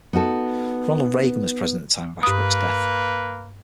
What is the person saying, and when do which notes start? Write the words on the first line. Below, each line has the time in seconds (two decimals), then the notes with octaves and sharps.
Ronald Reagan was president at the time of Ashbrook's death.
0.13 B3 D#4 F#4 A4
2.23 G2 A#3 B4 D#6